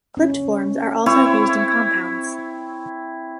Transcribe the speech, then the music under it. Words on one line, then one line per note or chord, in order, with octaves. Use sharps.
Clipped forms are also used in compounds.
C#4
C4 E4 C#5